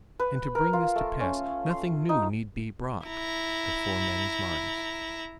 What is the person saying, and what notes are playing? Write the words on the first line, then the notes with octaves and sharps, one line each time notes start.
And to bring this to pass, nothing new need be brought before men's minds.
B4
A#4
F4
A3
C#4
C6
D#4
E4 A#5